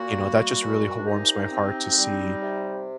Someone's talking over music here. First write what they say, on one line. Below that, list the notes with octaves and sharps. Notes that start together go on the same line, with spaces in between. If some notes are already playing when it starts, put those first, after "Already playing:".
you know, that just really h warms my heart to see
Already playing: A#2 A#3 F#4
G3
A#2
D4
C3 D#4
C4
G3
C3